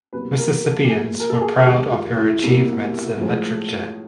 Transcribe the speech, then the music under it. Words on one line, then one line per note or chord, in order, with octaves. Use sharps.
Mississippians were proud of her achievements in literature.
C2 B2 F#3 A#3 B4
A#4
A4
G4
A#2 F3 A#3 G#4
A#4
A4
G#4
D#2 D#3 G#3 G4
F4
E4
C2 B2 G3 A#3
A2 F3 G#3